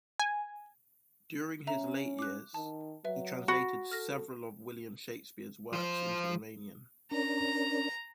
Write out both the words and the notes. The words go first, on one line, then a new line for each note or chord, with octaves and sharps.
During his late years, he translated several of William Shakespeare's works into Romanian.
G#5
C#4 E5 A#5
D6 F#6
D#3 A5
F#3 B4 E5
F#4 B5
A4 F6 A#6
F3 C5
C#4 D4 A#4 A#5